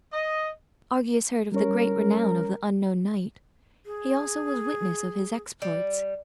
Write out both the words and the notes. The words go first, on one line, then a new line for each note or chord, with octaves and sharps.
Argius heard of the great renown of the unknown knight; he also was witness of his exploits.
D#5
G3 C#4 A#4 C#5
G#4
G3